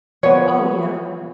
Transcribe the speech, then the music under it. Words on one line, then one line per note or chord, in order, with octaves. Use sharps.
Oh, yeah.
F3 B3 C#5